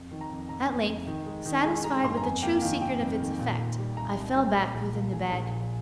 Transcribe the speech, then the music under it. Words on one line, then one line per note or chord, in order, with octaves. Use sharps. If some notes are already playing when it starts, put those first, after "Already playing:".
At length, satisfied with the true secret of its effect, I fell back within the bed.
Already playing: F2
D#3
A#5
F2
F2 A#5
F2
F2
D#3
G#3
D#3
G#3 G#5
G#3 A#5
G2 C6
A#5
F2 G#5
A#3 G5
D#3 F5
C3 G5
F2
D#3
A#2
A#2
G3
C2 A#5
C2
G3
A#2
A#1
A#2
A#1 G#5
A#1
A#2